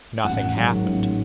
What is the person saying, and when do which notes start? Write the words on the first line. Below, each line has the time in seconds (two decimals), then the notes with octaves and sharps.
Nothing happened.
0.25 A1 F#5
0.56 G#2 D#3 F#3
0.85 A1